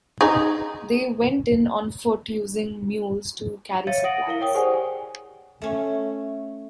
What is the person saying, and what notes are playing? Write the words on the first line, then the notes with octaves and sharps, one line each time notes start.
They went in on foot using mules to carry supplies.
D#4 G#4
C#5 E5 F5 A6 C#7 D#7
F#5 D#6 A#6 D7 D#7 F#7
E4 A#4 F5 G7
C#5 G5 D#6
G4 G#4 C5 D5 F#5 G#5
G#5
A3 C#4